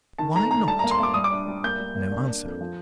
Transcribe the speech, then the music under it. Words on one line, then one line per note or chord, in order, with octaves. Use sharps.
"Why not?" No answer.
D#3 A5
A3 A#5
A3 A#5
G3 A5
A#3 A#5
C6
A#3 D6
G3 D#6
D6
D4
G3
A#3 G6
G3
A#3
D4
D4
F2
F3